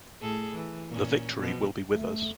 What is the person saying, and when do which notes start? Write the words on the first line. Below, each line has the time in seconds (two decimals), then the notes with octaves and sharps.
The Victory will be with us.
0.20 A2 G#4 A4
0.54 E3
0.88 A#2 C#4
1.38 B2 F3
1.94 A3